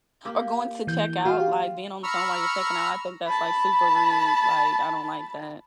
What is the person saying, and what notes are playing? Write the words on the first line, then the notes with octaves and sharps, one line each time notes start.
or going to check out, like, being on the phone while you're checking out, I think that's like super rude, like, I don't like that.
A#3 G4
E3 G6
F4 F#4 F5
G4
A#5 B5 C#6 E6 F6
A5 B5